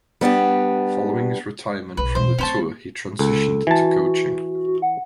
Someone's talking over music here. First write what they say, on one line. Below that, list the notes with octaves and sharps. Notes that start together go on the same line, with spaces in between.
Following his retirement from the tour he transitioned into coaching.
G3 B3 D4 G4
B1 C#3 B4
E2 B2 C5
A3 C4 C#4 C5 A5
C#2 A4
E3 F#4 A5
F#4
F#5